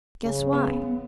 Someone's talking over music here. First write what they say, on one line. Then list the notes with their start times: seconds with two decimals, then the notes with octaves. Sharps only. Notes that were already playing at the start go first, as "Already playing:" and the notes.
Guess why?
0.24 C#3 F3
0.39 F#3
0.53 B3
0.67 B3
0.82 B3